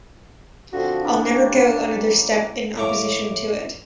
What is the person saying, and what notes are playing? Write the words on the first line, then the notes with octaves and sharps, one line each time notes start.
I'll never go another step in opposition to it.
D3 F3 C4 F#4
E3 A#3 D4 E4
C#4 G4
A2 E4 A#4 C#5 F5 D6